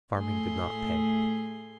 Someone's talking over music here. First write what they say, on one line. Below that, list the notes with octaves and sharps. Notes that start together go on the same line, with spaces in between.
Farming did not pay.
A2 A3 G#4 C6